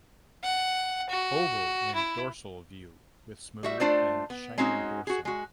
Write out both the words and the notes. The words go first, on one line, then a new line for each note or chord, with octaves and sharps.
Oval in dorsal view with smooth and shining dorsum.
F#5
F#4
E4
G3 F#4 E5
A3 D4 F4 C5 D5 G5
B3
G#3 C4 C#4 D#4 F#4
F#4 G#4
G#3 F#4